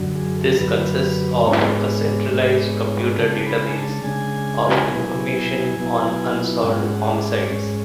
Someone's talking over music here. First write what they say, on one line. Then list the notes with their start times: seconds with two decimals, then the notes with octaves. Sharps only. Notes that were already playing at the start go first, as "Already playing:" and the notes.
This consists of a centralized computer database of information on unsolved homicides.
Already playing: F#2 D3 F#3
0.15 G#4
0.36 A4
0.58 F#2 D3 F#3 B4
1.44 G#2 G#3 B3 D4 C#5
2.31 G#2 G#3 B3 D4
3.17 C#3 G#3 D4 A5
3.46 B5
3.67 G#5
3.75 A5
4.04 C#3 G#3 D4 G#5
4.90 B2 F#3 B3 E4
5.77 B2 F#3 B3 E4
6.63 G#2 G#3 C#4 F#5
7.07 D5
7.50 G#2 G#3 C#4 C#5